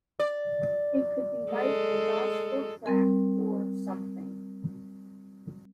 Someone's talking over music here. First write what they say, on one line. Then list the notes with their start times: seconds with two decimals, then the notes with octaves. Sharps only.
It could be like a gospel track or something.
0.20 D5
1.51 G#3 A4
2.86 G3 C4 A#4